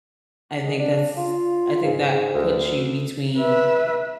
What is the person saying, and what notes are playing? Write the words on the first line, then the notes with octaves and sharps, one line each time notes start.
I think that's I think that puts you between,
G#3
D4
F4
G#2
D2
B4 E5